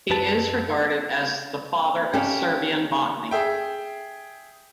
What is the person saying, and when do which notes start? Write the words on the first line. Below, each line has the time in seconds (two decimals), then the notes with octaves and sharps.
He is regarded as "the father of Serbian botany".
0.10 F#2 B4 A5
2.14 C#4 G4 A4 F5
3.31 G#4 E5 G5